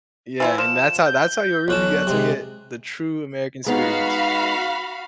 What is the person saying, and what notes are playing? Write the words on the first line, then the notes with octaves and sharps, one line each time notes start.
Yeah, and that's how that's how you really that's how you get to get the true American experience.
E3 F3 E4
F3 E7
G6
B1 C#4 A5 F#6
C3 G#3
G#3 B3 D#4 F#4 F5 B5